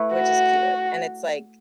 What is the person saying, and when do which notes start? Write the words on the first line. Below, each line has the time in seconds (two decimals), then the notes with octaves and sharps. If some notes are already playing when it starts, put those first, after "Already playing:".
which is cute, and it's, like,
Already playing: A3 E4 B4
0.14 F#4